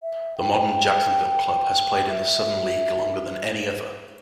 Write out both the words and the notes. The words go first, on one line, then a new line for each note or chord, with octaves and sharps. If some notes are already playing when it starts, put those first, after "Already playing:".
The modern Jacksonville club has played in the Southern League longer than any other.
E5
G5
E5